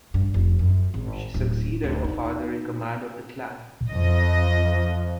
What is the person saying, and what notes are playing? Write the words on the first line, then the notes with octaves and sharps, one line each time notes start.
She succeeded her father in command of the clan.
G2
F1
F#2
G#1
D1
D2
D#4
F2 F3 D#5